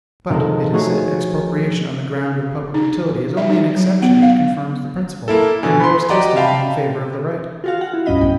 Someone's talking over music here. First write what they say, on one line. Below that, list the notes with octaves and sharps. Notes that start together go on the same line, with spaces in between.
But, it is said, expropriation on the ground of public utility is only an exception which confirms the principle, and bears testimony in favor of the right.
C3 D#3 F3 G#3 A4
F3 A3 D#4 F#4 G#4 C#5
D#4
E5
D#4
F#3
B3
F5
A#3 E4 A4
B2 D3 G#5
B5 C6
F#4 G4 D5 D#5 F#5 A#5
E5 F5 G5 A5 B5
F4 F#4 F5
F#5
E4
C#2 G2 C#4 D#5 B5
B1 G5